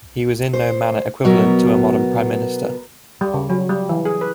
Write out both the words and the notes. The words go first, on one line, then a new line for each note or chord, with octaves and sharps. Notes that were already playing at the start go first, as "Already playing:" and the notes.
He was in no manner equivalent to a modern Prime Minister.
C5
B2 F#3 B3 A#4
G3
C#3
F#3
G3
E3
G#4
B4